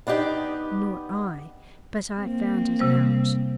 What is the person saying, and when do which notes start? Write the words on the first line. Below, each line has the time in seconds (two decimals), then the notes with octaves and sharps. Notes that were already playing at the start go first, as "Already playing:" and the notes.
"Nor I. But I found it out."
0.07 B3 D4 D#4 G4
2.21 A#3 C4
2.79 C3 G3 C5